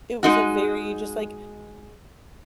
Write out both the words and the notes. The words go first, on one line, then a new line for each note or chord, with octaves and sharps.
It was a very just, like,
G#3 D#4 F#4